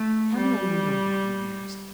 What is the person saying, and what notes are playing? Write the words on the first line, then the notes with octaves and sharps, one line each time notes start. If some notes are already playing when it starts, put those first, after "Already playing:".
"Tell me all you know about him?" I asked.
Already playing: A3
G3